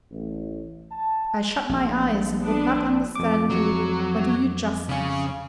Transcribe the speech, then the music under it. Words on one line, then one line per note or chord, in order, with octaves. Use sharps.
I shut my eyes, and would not understand you, or do you justice.
A1
A5
A#1
B3 D4
F2 D6
F#3
C#3 C#4